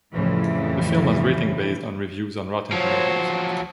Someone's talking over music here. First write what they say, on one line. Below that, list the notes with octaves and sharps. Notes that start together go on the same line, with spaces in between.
The film has rating based on reviews on Rotten Tomatoes.
F2 A2 C#3 E3 G3
F3 F#3 C5 C#5